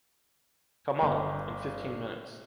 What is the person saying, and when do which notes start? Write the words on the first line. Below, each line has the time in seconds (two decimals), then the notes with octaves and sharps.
Come on! In fifteen minutes...
1.02 G1